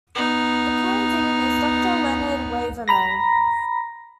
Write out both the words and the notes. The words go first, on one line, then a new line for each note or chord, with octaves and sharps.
The current dean is Doctor Leonard Waverman.
B3 D#4
A#5 B5 A#6